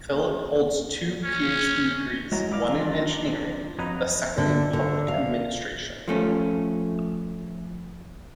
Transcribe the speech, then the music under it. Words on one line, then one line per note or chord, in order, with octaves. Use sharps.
Filip holds two PhD degrees, one in engineering, the second in public administration.
C#4
E3 F#3 G#3 A#5
E4 D5 F5
D4 F4
F2 F#3 D#4 B4 A#5
D3
D3
F5
F3 A3 C#4